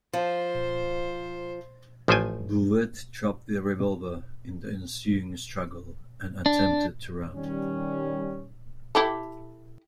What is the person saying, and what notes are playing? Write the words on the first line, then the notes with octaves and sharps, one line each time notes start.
Bouvet dropped the revolver in the ensuing struggle and attempted to run.
F3 C5
A1 F3 A3 C5 G5 G#5
D4
D#3 G3 C#4
E4 G4 A4